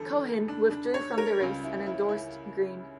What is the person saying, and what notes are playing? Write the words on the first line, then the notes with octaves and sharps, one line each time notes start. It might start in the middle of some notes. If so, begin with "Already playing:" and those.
Cohen withdrew from the race and endorsed Green.
Already playing: E2 D3 G3 A4
D4
D4
C#5
A#4
C#2 C#3 G3 F4
E4
E4
E4